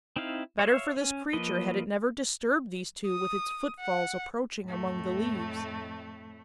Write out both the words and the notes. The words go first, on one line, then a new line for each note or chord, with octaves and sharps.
Better for this creature had it never disturbed these two with its footfalls approaching among the leaves.
C4 D#4 E4 F5
C#5 E5 F5
C#4
F3 A#3 B4 D#5
D#6
F#5
F2 A2 A3